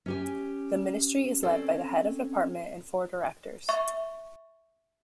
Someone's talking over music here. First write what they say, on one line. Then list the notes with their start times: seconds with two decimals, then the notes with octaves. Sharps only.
The Ministry is led by the Head of Department and four Directors.
0.06 C#4 G4 G#5
1.43 C4 C#4 A4 D5
3.69 E5 C#6